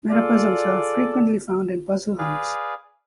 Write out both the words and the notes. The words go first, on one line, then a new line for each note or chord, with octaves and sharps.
Metapuzzles are frequently found in puzzlehunts.
F4 G#4 A4 D5
G#4 B4 D5 F5